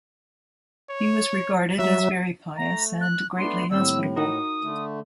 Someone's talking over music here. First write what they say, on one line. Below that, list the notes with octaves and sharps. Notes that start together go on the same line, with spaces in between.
He was regarded as very pious and greatly hospitable.
C#5
F#3 E5
A3 A#5
F#6
A3 B3 D4 C6
D#2 A2 G3 C4 E6
D#4 F#4 A#4 D#6
D3 A3